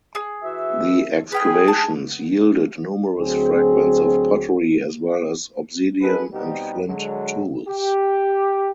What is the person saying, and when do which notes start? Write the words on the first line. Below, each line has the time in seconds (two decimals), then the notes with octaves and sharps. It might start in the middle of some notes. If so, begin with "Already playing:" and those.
The excavations yielded numerous fragments of pottery as well as obsidian and flint tools.
0.15 G#4
0.42 E3 F#4 E5
1.32 G#4 B4 G5 F6
1.68 A5
3.18 D2 F#3 C4 G#4
6.02 B3 D#4 G#4 A4 B4
6.32 B2 G3 B3 C4 D#4 G4
6.88 D3 F#3 G#3
7.68 G4